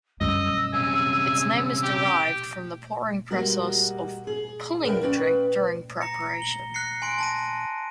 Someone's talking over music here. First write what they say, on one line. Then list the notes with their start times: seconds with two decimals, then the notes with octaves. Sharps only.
Its name is derived from the pouring process of "pulling" the drink during preparation.
0.21 F#2 G3 D#5 E6
0.73 C3 C#4 G#5
1.83 G4
3.31 G3 G#3 A#3 F#4
4.27 G#4
4.85 A#4 B4 D5 E5 F5 G5
5.01 C#4 B4 D5 G5
6.01 A#5 A#6 C#7
6.42 G7
6.74 F#6 A#6 C7 C#7
7.02 G#5 C6 D7
7.18 A5 A#6 D#7